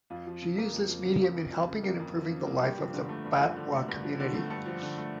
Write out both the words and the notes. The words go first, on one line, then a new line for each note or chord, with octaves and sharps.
She used this medium in helping and improving the life of the Batwa community.
F2 F4
F3
C#3
A#3
F2
F3
C#3
A#3
F2
F3
C#3
A#3
F2
F3
C#3
A#3
G2 G4
F3
D3
A3
G2
F3
D3
A3
G2
F3
D3
A3
G2 A4
F3
D3
A3